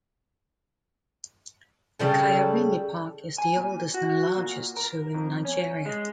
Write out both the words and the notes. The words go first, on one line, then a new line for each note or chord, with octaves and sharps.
The Kyarimi Park is the oldest and largest zoo in Nigeria.
C#3 G3 A4
G#5
A#2
F#4
A#2
A#4
F2
C#4
G#3